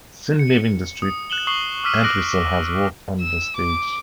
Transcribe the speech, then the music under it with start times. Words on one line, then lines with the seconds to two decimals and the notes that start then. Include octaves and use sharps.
Since leaving the Street, Entwistle has worked on the stage.
0.39 C#7
1.02 D#6
1.30 F#6 E7 F#7 G7
1.47 C#6 D#6 C7 F#7 G7
1.84 D6 E6 F6 B6 D#7 F#7
2.03 D6 F#6 A#6 D7 F#7
3.20 E6
3.56 D6